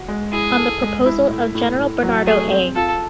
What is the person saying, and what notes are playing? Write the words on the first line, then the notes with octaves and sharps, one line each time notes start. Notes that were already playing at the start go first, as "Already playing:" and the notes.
On the proposal of General Bernardo A.
Already playing: F#4
G#3
E4 G#4
A4
G#3
E4
A2
A2
A2
F#3
A3 G#4
C4
F4 A4